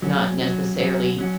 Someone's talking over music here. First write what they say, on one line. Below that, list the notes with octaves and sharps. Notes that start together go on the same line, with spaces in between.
not necessarily
F#3 C#4 F#4
F#3 C#4 F#4
F#3 C#4 F#4
F#3 C#4 F#4